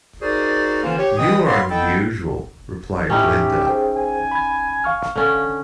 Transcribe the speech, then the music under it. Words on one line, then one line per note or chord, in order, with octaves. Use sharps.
"You are unusual," replied Glinda.
D#4 F#4 G#4 A#4 C5 D5
D3 E3 A#3 C#4 F4 C5
G4 C#5
E3 D#5 G5 D#6
G2 C#5 F5 F#5 B5 C6
B3 E4 A4 D#5 G5
A2 C#4 D#4 E4 G4 G5
G#4 C5 G5
G#5
B5 G#6
F5 C#6 F6
D3 C#4